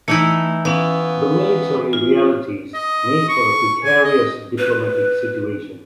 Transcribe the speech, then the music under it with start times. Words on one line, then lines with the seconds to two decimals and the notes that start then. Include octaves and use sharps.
The military realities made for a precarious diplomatic situation.
0.08 E3 A3 D#4 E4
0.65 E3 B3 C#4 F5
1.93 F4
2.74 D#5
3.28 C#6
3.84 G#5
4.04 D#5
4.58 B4